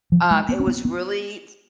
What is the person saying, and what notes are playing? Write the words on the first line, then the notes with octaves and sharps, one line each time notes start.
um, it was really f
F3
G#3
B3
C#4
B3
B3